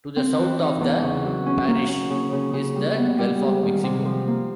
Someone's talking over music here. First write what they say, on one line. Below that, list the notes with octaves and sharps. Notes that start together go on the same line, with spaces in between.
To the south of the parish is the Gulf of Mexico.
C4
E3
D#4
E2
C#3
F#3
C#4
A#3
C#4
C#3
C#3
C#3
G3
B3
G3
G#3
D#3
C3
F3
A#3